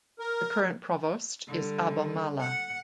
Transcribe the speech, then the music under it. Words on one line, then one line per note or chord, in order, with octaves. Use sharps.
The current provost is Abba Mala.
A#4
D3 G3
F#5